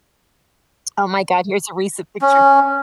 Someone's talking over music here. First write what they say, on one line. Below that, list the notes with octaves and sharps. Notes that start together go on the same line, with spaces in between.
Oh my God. Here's a recent picture.
C#4